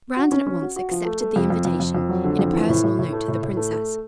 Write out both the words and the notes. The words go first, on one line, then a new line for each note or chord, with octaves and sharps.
Brandon at once accepted the invitation in a personal note to the princess.
F#4
C#4
C#4
F#4
F#4
F3
A3
A3
F2
F2
F2
F2
F2
F#3
D3
F2
E3
A2
A2
A2
A3
A2
A2
A3
A3